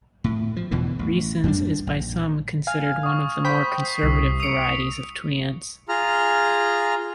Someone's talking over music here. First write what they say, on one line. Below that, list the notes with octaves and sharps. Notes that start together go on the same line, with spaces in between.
Riessens is by some considered one of the more conservative varieties of Tweants.
A2
F3
E2 B2 D3 E3
A1
F#2 G3 D4
A#1
F5 G#5 F6
C#6 D#6
C5 G5 B5 B6
D#6 C7
C2 D#6 E6
D#6 C#7 D7 F7
F4 G#4 A#5 F6